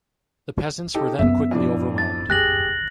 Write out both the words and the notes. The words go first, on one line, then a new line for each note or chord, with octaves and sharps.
The peasants were then quickly overwhelmed.
D#4 G4 A4
F#2 B3 E5
F2 A2 D4
A6
G4 G#4 F#6 A#6 F#7